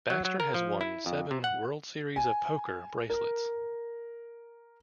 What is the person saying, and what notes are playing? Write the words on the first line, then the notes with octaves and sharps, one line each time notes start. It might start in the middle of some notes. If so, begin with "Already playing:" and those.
Baxter has won seven World Series of Poker bracelets.
F#3
F#3
A#4
F3
E4
F2
C3
F#5
G#5
A#4